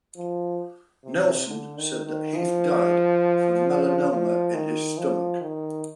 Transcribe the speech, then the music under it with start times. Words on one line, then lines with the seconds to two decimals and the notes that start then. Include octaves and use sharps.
Nelson said that Heath died from melanoma in his stomach.
0.17 F3
1.05 C3
1.48 D3
1.77 D#3
2.06 D#3
2.35 F3
4.11 F3
4.54 D#3
4.98 F3
5.41 D#3